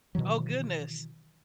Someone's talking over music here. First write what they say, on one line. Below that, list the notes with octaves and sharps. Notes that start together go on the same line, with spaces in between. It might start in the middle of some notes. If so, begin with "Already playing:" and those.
Oh, goodness.
B2 D#3 E3 F#3